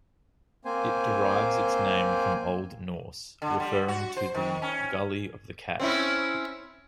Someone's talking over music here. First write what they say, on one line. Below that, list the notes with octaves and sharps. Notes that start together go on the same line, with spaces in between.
It derives its name from Old Norse, referring to the 'gully of the cat'.
A#3 C4 C5 G#5
D3
G3
F#4
C5
D#3
C#4
C4 C#4 E4